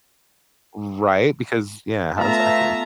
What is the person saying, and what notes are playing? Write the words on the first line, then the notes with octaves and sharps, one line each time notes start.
Right, because yeah, how does that feel?
A3 B3 F4 E5 A5 A#5